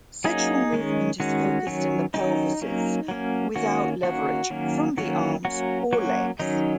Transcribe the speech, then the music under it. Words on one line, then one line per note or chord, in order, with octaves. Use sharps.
Sexual movement is focused in the pelvises, without leverage from the arms or legs.
F#3 A#3 C#4 D#4 G#4
D#3 G#3 C#4
D#3 G#3 C#4 F#4
D#3 F#3 C#4
D#3 F#3 C#4 D#4
F#3 A#3 C#4
F#3 A#3 C#4
D#3 A#3 C#4 F#4
D#3 A#3 C#4 F#4
D#3 F#3 A#3 C#4
D#3 F#3 A#3 C#4 F#4
F#3 A#3 C#4 F#4
F#3 A#3 C#4 F#4
D#3 F#3 C#4 D#4